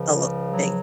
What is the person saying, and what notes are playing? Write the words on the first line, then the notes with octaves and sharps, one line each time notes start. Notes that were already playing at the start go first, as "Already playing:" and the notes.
a litt big
Already playing: C#2 C#3 F3
F#3